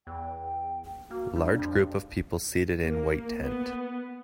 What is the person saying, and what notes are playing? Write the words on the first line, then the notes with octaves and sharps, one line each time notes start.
Large group of people seated in white tent.
E2 G5
A#3 F#4
G3 D4
F2
A#3
B3